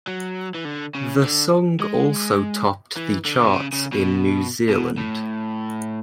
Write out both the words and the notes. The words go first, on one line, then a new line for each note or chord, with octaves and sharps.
The song also topped the charts in New Zealand.
F#3
E3
D3
C#3
D3
G#3
E3
D3
B2
C#3
C#3
B2
B2
A2